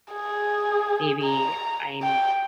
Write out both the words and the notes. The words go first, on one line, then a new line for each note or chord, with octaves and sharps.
maybe I'm
G#4
A#5
G5